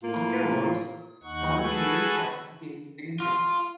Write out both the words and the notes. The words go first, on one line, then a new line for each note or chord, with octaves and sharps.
Afterwards, Sali Berisha became the second President.
A2 A#3 F4
D#2 D#4 F#5 C#6
F#4 G#4 A4 B4 F#6 G#6
F4